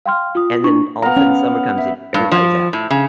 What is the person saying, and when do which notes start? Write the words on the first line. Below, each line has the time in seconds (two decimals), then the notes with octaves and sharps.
and then all of a sudden, summer comes in, everybody's out,
0.06 F5 G5 C6 F6
0.35 F4 D#6
0.64 D4 E4 C#6
1.02 B3 F5 A#5
1.17 C#4
1.78 E5
2.14 G2
2.31 F3
2.73 A2
2.90 C#3